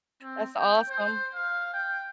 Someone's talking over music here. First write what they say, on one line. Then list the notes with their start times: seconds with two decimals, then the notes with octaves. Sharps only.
That's awesome.
0.22 C4
0.57 G5
0.89 C5
1.34 F5
1.73 G5